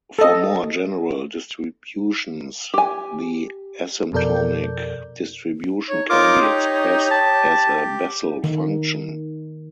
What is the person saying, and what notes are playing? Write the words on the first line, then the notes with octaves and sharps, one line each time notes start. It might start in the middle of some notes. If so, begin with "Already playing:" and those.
For more general distributions the asymptotic distribution can be expressed as a Bessel function.
A4 D#5
G4 G#5
F2 B2 A4 A#4 D5 G6
D#4 C#5
D#4 F4 A#4 C#5 D6
G4
A5
D#3